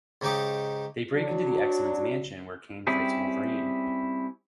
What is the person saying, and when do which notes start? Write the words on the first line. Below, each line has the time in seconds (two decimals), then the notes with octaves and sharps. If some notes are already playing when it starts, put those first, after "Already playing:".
They break into the X-Men's mansion where Kaine fights Wolverine.
0.21 G#2 C#3 D#4 G4 D6
1.12 F#3 D4
2.87 G3 C4 C#4 E4 G4 G#4